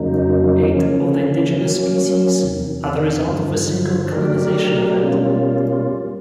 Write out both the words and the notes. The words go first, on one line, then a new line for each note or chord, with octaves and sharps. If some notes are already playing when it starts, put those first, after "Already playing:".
Eight of the indigenous species are the result of a single colonization event.
Already playing: F2 C#3 F#3 A#3 D#4
C#3 F3 A#3 C#4
F#3 A#3 C#4
E2 C3 D#3
G2 D3 F3
F#3 A3 D4 G4 A#4
B2 G3 A#3 C#4 F4